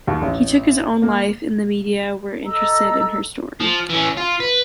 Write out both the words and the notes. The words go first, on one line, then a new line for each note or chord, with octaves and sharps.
He took his own life and the media were interested in her story.
D#2
A1
A#3
A4 D#5 A#5 E6
F3
E3 C#4
F4
B4